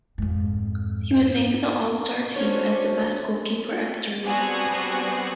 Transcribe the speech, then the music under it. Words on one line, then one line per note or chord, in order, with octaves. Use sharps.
He was named in the all-star team as best goalkeeper at the tournament.
F2 G#2
C#4 D4 F#4 C5 C#5
G3 B3 C4 D4 F#4 G#4